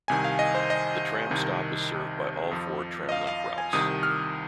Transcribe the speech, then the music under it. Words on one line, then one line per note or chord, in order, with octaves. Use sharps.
The tram stop is served by all four Tramlink routes.
C2 C3 D#3 G#5
F5
D#5
C5
D#5
C2 C3 D#3
F2 F3
D#5
F5
F5
G#5
C2 C3 D#3 D#6
F6